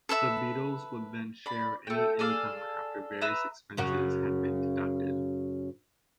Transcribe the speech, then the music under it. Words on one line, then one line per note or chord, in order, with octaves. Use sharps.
The Beatles would then share any income after various expenses had been deducted.
A4 B4 E5 B5
D5 B5
A3 G5
G#4 A4 D5 F5
B4 E5 A#5 D#6
F#2 C#3 F#4